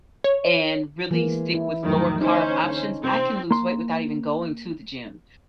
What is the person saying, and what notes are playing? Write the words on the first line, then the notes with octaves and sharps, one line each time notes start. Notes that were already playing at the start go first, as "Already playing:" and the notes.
and really stick with lower carb options, I can lose weight without even going to the gym.
C#5
E3 G#3 A#3
E4
F2 A2 D#3 F#3
D2 C#4 D#4 C5
D3
C3 C4 C5
A#3 C6